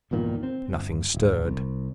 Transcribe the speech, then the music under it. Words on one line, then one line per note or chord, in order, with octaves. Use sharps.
Nothing stirred.
G1 E2 A#2 D#3
C4
G1
D1
C2